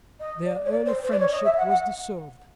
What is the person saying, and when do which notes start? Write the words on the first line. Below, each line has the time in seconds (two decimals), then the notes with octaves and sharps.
Their early friendship was dissolved.
0.20 D#5
0.45 D5
0.65 C#5
0.71 D5
0.86 C5
1.03 C5
1.12 D5
1.20 C#5
1.32 D#5
1.44 E5
1.57 F#5
1.69 F#5